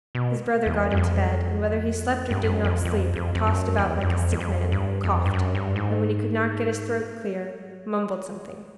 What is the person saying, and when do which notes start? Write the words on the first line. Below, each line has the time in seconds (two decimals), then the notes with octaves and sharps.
His brother got into bed, and whether he slept or did not sleep, tossed about like a sick man, coughed, and when he could not get his throat clear, mumbled something.
0.15 B2
0.66 E2
0.91 F#2
0.97 F2
2.31 G2
2.43 F#2
2.64 F2
2.85 F2
3.16 F2
3.35 F2
3.47 F#2
3.78 E2
4.01 F#2
4.10 F2
4.32 E2
4.41 F2
4.72 G2
5.04 F2
5.26 G2
5.33 F#2
5.55 G2
5.76 G#2